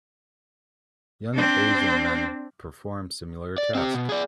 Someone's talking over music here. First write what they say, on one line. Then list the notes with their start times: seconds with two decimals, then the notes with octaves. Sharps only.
Young Asian men perform similar task.
1.34 C4 D4
3.58 D5
3.75 C4 G4
3.94 B2
4.09 G#4 D5